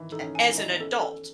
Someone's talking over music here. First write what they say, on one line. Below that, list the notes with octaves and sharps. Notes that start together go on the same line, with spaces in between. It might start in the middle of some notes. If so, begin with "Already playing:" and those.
a as an adult.
Already playing: D#3 E3
D#4 A4
C#4
G#5
D#4
E4
D#5
B3
C#4 A4
A4